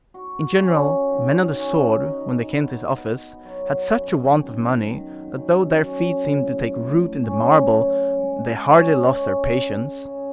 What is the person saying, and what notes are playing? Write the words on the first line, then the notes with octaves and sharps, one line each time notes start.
In general, men of the sword, when they came to his office, had such a want of money, that though their feet seemed to take root in the marble, they hardly lost their patience.
F#4
C#4
D#3
C#4
D#4
B3
B3
F#3
F#2
D#3
D#3
F#2
C#4
A2
A2
C#4
C#3
G#3
C#4
C#4
C#3
C#3